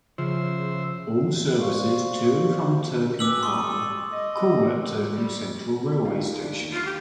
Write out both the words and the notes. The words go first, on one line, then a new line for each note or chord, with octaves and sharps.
All services to and from Turku Harbour call at Turku Central railway station.
C#3 F3 C5 E5
F#4 C5 D5 F5 C6 C#6
C4 C#4 B4 D6 E6 F#7
A4 C6 C#6 D#6
D#5
G3
D2 D#4 F4
D4
D#2
F4
G4